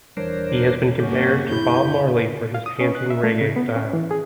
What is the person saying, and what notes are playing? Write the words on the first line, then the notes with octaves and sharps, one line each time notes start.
He has been compared to Bob Marley for his chanting reggae style.
E1 E3 G3 D4 A#4 C5 C#5
G2 D3 A#3 C#4 F#4 G4
F#2 D3 D4 E4 G6
F5
D#6
C#4
F#6
E5
A3
C#3
B3
C#4
E3
G#4